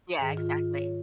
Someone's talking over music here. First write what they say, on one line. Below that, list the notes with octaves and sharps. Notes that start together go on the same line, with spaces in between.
Yeah, exactly.
G#2 D#3 G#4
F4
C#5